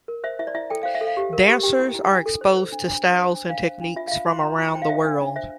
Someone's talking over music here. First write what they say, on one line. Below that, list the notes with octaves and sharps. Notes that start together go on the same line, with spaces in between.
Dancers are exposed to styles and techniques from around the world.
A#4
C5 E5
E4 E5
D5
E4 E5
A4 G5
C5 F5
E5
A4
F5
G4
A#4
G4
G4 G5
E4
E4
D4
A4
C5
C5
D4
D4
C5
C5
D4
D4 F5
C5
D4
F4 E5
F5
F4 E5
F4 C6
F4 A#5
F4
C5 G5
F5
C5 E5
D4
D4
C5 E5